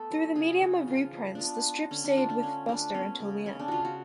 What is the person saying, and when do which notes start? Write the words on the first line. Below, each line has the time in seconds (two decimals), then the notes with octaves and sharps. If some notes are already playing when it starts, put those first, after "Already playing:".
Through the medium of reprints, the strip stayed with Buster until the end.
Already playing: A3 B3 A4
0.10 F#3
0.35 C#3 G#4
0.62 F#3 F#4
0.88 F3 F4
1.13 F3
1.35 B3 D4 F4
1.64 B3
1.91 D3 C#4
2.04 D4
2.17 A3 F4
2.30 D4
2.42 D3 C#4
2.69 A3 D4
2.94 B3 C#4
3.20 C#3
3.46 C#3 C#4
3.59 D4
3.68 C#3 F4 F#4
3.85 F#4